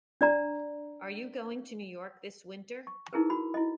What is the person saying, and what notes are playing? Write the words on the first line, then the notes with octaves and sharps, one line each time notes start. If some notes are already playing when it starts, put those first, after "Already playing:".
Are you going to New York this winter?
D4 D5 A#5
C#6
D#4 E4 G#4 A#4 B4
F#4 B5
E4 D#5